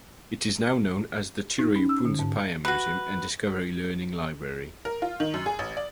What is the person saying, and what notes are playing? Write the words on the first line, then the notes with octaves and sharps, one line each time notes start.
It is now known as the Chirayu–Poonsapaya Museum and Discovery Learning Library.
D#4
C#4
E6
D3
G#2
F#4 B4
A#4
F4
D#3
F#2
G#4
A1
D5